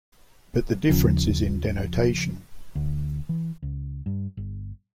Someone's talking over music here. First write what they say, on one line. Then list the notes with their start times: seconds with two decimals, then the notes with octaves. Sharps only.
But the difference is in denotation.
0.89 D#2 C#3 F3
2.75 D2
3.29 E3
3.62 C#2
4.06 G2
4.37 G1